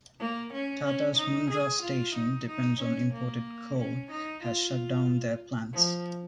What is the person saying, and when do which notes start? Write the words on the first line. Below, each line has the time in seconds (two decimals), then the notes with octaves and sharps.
Tata’s Mundra station depends on imported coal has shutdown their plants.
0.20 A#3
0.53 C#4
0.85 C#4
1.17 D#4
1.50 G#4
1.82 F4
2.15 D#4
2.48 D#4
2.80 C#4
3.13 A#3
3.78 C#4
4.10 D#4
4.43 F4
5.73 F3